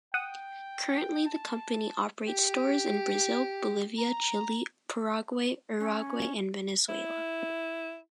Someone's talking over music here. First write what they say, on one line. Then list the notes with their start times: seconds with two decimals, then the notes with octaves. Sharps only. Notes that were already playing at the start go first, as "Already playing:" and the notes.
Currently the company operates stores in Brazil, Bolivia, Chile, Paraguay, Uruguay and Venezuela.
0.14 F#5 G5 D#6
1.26 A5
2.27 G4
3.98 A#5
5.80 C#4
6.89 E4